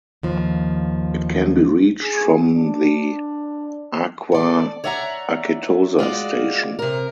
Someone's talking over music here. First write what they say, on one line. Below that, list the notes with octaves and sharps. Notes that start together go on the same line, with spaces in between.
It can be reached from the Acqua Acetosa station.
D#2 F3
G#4
D4
A4 D5
C#5 D5 E5 F#5 G5 A#5
G#3 F4 F#4 D5
C3 A#4